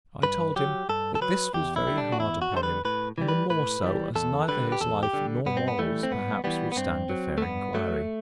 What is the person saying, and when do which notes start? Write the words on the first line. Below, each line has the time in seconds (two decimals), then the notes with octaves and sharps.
I told him, that this was very hard upon him; and the more so, as neither his life nor morals perhaps would stand a fair inquiry.
0.23 G2 B4
0.56 F#3 G4
0.89 G2 A4
1.15 A4
1.21 F#3 B4
1.54 E2 G4
1.76 E4
1.87 D3 G3
1.98 D4
2.12 F#4
2.19 E2 E4
2.42 F#4
2.52 D3 G3 C5
2.63 B4
2.85 A2 B4
3.18 E3 G3
3.28 B4
3.50 A2 B4
3.83 E3 G3
4.15 E2 A4
4.48 D3 G3 B4
4.72 G4
4.81 E2 A4
5.03 G4
5.13 D3 G3
5.46 G2 B3
5.57 C4
5.68 B3
5.78 E3 G3 A3
6.03 C4
6.11 G2 B3
6.44 E3 G3 B3
6.72 B3
6.76 G2 C4
7.09 F#3
7.38 A3
7.42 G2 B3
7.74 F#3 A3